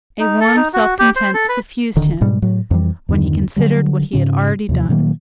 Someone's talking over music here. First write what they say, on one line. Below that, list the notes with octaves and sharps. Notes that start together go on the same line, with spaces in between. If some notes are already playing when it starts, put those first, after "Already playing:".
A warm self-content suffused him when he considered what he had already done.
D#4
A4
D#4
F#4
G4
C5
A4
B4
D1 D3 D#3
G#2 B2 G3 G#3
A2 F#3
F2 E3 G3
E2 G2 D3 D#3
D3 F#3 G3
G#2 C#3 C#4
D#2 C3 F3
A#2 D#3 F#3 A#3